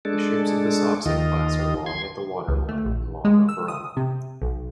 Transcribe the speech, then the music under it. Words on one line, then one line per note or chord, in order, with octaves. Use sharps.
The ships of the "Sachsen" class are long at the waterline and long overall.
G#3 D4 A4
D#2 D#3 F4 D#5
C6 G#6
C#2
A3
A#1
G#3
E6
D#6
C3
B1